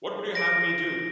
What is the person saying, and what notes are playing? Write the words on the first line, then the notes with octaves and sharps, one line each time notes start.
What would you have me do?
A#6 D7